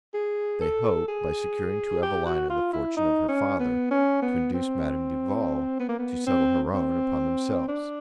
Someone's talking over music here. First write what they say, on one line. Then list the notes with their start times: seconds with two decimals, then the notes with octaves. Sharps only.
They hope, by securing to Evelina the fortune of her father, to induce Madame Duval to settle her own upon themselves.
0.14 G#4
0.61 A4
1.08 G#4
2.03 G4
2.26 F#4
2.50 F4
2.73 E4
2.97 D#4
3.29 C#4
3.60 B3
3.91 C#4
4.22 B3
4.54 C4
5.80 B3
5.89 A#3
5.99 B3
6.27 C4
6.74 C4
7.68 D4